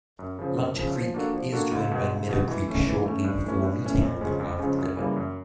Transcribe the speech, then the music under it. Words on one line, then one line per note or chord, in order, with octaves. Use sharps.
Lunch Creek is joined by Meadow Creek shortly before meeting the Raft River.
F#2
C#3 F3
F#2
C#3 F3
F3
A#3 D4 F#4 A4
F3
A#3 D4 F#4 A4
C#2
B2 G#3
C#2
B2 G#3
E3
A3 C#4
E3
A3 C#4
G2
E3 A3 C#4
G2
E3 A3 C#4
F2
C#3 F3 G#3 C#4
F2
C#3 F3 G#3 C#4
F#2
C#3 E3 G3 A#3
F#2